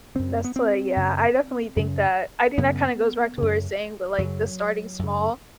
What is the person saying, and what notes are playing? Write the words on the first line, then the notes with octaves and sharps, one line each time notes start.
That's why Yeah, I definitely think that I think that kinda goes back to what you were saying, about, like, the starting small.
F#2 C#3 C4
B3
C4
F#2 C#3
F#2 C#3
F#2 C#3 B3
F#2 C#3
F#2 C#3 F#3
F#2 C#3